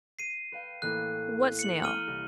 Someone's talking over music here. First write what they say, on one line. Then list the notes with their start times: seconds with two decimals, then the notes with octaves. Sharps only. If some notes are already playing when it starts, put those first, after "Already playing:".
"What snail?"
0.19 C7 D#7
0.52 B4 F5 G5
0.82 A1 A#3 E4 F#6
1.59 C#7 F#7
1.83 A#5 F6 D#7 G7
2.07 C2